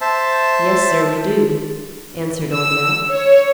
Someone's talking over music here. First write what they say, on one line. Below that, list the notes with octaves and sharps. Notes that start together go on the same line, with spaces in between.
"Yes, sir, we do," answered Old Matt.
C5 E5 A5
E6
C#5